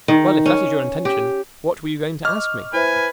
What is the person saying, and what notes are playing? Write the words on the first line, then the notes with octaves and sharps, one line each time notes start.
"Well, if that is your intention--what were you going to ask me?"
D#3
C#4
G4
D#5 C#6 D6 F6
E4 B4 C5 E5 G#5